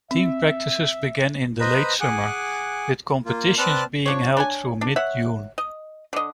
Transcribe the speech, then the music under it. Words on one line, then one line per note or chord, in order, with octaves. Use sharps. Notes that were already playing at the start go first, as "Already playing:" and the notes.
Team practices begin in the late summer, with competitions being held through mid-June.
C4 E5
B4 C5 D#5 A#5 B5
G#4 F#5 G#5 D6 F#6
A#3 F4
C4 B4 D5 A5 F6 F#6
F3 D4 C#5
D4 C#5 G#5
D4
C#5 E5 F#5
D#5
D3 D#5